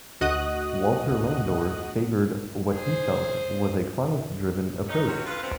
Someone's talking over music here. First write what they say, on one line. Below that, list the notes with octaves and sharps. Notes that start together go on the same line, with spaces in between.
Walter Landor favored what he felt was a client-driven approach.
D2 F#4 D#5 D#6 F#6
G#4 C5
G2 C#4 D#4
C3 F#3 C#4 F#4
G2 D3 F4 B4
G2 B3 C4